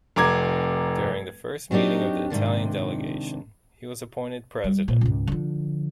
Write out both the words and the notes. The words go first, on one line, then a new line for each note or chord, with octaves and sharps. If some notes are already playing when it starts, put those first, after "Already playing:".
During the first meeting of the Italian delegation he was appointed President.
F1 A#5 D6 G#6
F#3 C4 D4 D#4 G4
G#2 C3 D#3 D4
G3
A#2
C#2 G#2
D3 F3